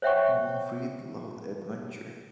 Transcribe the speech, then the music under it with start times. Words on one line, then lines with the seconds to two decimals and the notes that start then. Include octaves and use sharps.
Monfreid loved adventure.
0.02 C5 C#5 E5 F#5 G5 C#6